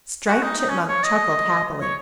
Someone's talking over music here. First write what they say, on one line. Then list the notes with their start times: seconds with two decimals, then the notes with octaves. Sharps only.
Striped Chipmunk chuckled happily.
0.27 F#4
0.42 D#4
0.58 D#4
0.69 C#4
0.88 C#5
1.04 D#5
1.81 C#5